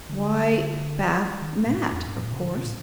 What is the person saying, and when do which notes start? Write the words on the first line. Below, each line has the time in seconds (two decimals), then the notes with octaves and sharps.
"Why--'bath-mat,' of course."
0.09 D3
1.42 D#3
1.66 A#2
1.75 A2
1.92 F2
2.08 G2
2.16 A2
2.24 A#2
2.33 C3
2.41 D3
2.57 C3
2.65 A2